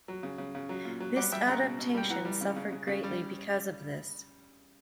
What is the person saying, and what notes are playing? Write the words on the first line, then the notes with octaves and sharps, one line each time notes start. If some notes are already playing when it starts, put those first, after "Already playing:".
This adaptation suffered greatly because of this.
F#3
C#3
C#3
C#3
F#3
A#2
F#3
G3 D5 F#5
G3 E5 G5
C#3 F#5 A#5
B2
B2
G3 G5
E3 F#5 A#5
G3
C#3
C#3
C#3
C#3
G3